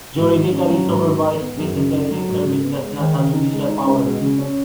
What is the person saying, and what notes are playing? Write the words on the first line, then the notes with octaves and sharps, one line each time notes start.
Juridically supervised, this intelligence service does not have judicial power.
G#2 F#4
D#3
C#4
F#3
G#2 F#4
D#3
D#4
B3
F#2 G#4
C#3
D#4
F#3
G#2 F#4
C#3
B3
G#3
D#3 G#4
C#3
D#4
G#3
D#4
C#2
B2 G#3
C#3
C#4